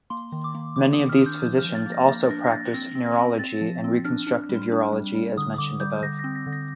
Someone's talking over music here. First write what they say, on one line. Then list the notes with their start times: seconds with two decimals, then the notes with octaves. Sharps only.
Many of these physicians also practice neurourology and reconstructive urology as mentioned above.
0.10 A#3 C6
0.32 D#3
0.44 D6
0.55 A#3
0.76 D#3 D6
0.93 D#6
0.99 D#3
1.09 F6
1.21 D4
1.26 G6
1.42 F3 G6
1.58 F6
1.64 F3
1.75 A6
1.86 A#3
1.92 A#6
2.09 A#3 A6
2.30 D4 A#6
2.44 A#6
2.52 A#3 A6
2.73 C4 A#6
2.95 C4
3.06 A#6
3.18 C4
3.39 C4 A6
3.61 F3
3.84 C4
4.05 D4 F6
4.27 D4
4.49 G3
4.72 D4
4.92 G3
5.15 G3
5.37 D3 D#6
5.54 D#6
5.58 D3 D6
5.80 G3 G6
6.02 D3 A#6
6.19 C4 A#6
6.35 A#6
6.46 D3
6.53 A#6